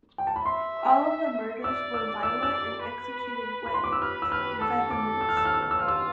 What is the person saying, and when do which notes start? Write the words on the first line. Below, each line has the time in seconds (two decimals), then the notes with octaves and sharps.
All of the murders were violent and executed with vehemence.
0.18 G5
0.27 A5
0.36 B5
0.45 E5 C6
1.64 D5 E6
1.94 E6
2.23 D5 E6
2.43 E6
2.83 B4
3.66 B5
3.74 C6
3.84 D6
3.92 E6
4.02 B4 F6
4.22 E6
4.31 B4 F6
4.61 A4 E6
4.91 D6
5.21 E6
5.29 F6
5.37 E6
5.45 F6
5.54 E6
5.62 F6
5.71 E6
5.79 F4 F6
5.88 E6